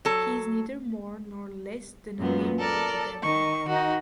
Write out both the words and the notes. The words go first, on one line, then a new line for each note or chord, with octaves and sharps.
He is neither more nor less than an imp of the devil.
F#3 A4
F#2 A#2 B3
A4 A#4 D5
D#3 C#6
D#3 D#4 F#4